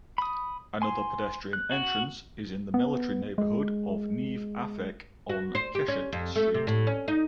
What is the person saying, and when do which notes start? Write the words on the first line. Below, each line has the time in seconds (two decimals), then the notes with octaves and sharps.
Another pedestrian entrance is in the military neighborhood of Neve Afek on Keshet Street.
0.18 B5 D#6
0.82 G#5 C6
1.53 F#6
1.72 F#4
2.74 B3
3.38 G#3
5.29 F#4
5.55 C5
5.75 G4
5.88 C#4
6.13 F2
6.35 A3
6.54 C3
6.67 A2
6.87 C#4
7.08 D#4